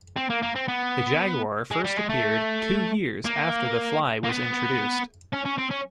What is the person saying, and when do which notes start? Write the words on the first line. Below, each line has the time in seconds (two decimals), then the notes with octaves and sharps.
"The Jaguer" first appeared two years after "The Fly" was introduced.
0.16 C4
0.30 A#3
0.42 A#3
0.55 C4
0.68 B3
1.71 G#3
1.84 G3
1.97 G#3
2.09 A3
3.26 A#3
4.24 A#3
4.29 B3
5.33 C#4
5.45 C#4
5.58 C4
5.70 C#4